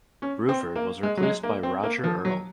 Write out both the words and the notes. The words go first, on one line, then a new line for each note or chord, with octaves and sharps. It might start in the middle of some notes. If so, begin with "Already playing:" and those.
Bruford was replaced by Roger Earl.
C#4
C4
A#3
G#3
F#3
G#3
A#3
C4
A#3
F3
F#3